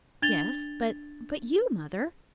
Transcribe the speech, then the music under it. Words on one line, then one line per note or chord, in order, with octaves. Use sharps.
"Yes--but--but you, Mother?"
D4 G#6 A6 F7 G7